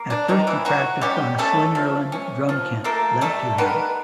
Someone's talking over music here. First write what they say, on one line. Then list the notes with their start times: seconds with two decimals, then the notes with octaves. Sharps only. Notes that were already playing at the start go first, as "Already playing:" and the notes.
At first he practiced on a Slingerland drum kit lent to him.
Already playing: A#3
0.10 D4
0.28 D#3 F3 D#4
0.47 E3 E4
0.65 F#3 C#4 F#4
1.01 G3 C#4 G4
1.38 A3 C#4 A4
1.75 F3
2.12 C#4
2.49 F3
2.84 A3 A#3 A4
3.21 G3 A3 A4
3.58 D#3 B3 B4